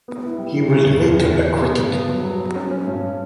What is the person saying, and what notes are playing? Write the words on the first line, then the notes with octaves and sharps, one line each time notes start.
He was later acquitted.
B3
E4
G3
E3
C#4
E2
E2
E2
E3
A#3
B3
G2
B3
F#3
F#3
F#3
C#4
C#4
G2